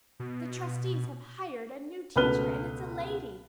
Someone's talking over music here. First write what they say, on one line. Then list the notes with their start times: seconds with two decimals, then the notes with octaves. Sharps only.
The trustees have hired a new teacher and it's a lady.
0.20 B2
2.16 C#2 B2 A3 B4 F6 G7